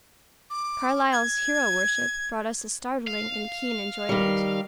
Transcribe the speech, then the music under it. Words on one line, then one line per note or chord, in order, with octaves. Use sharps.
Carlyle's "Hero-Worship" brought us a startling and keen enjoyment.
D6
G#6
F5
D#3 G3